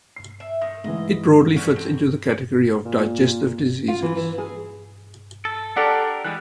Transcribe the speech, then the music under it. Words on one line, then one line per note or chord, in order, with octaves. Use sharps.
It broadly fits into the category of digestive diseases.
C7
E5
D#3 D#6 A#6
G#2 E3 D#5
D3 C#4 F#5
C4
A#2
F4
E3
E3
G#4
A4
D4 G4 A4 A#4 D5 F#5
E3 G3 G#3 F#6